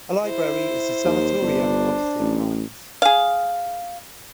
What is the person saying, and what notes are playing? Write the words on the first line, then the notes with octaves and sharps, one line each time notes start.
A library is a sanatorium of sick minds.
E4 C5
D#2
G1 D4
A1
G#4 F5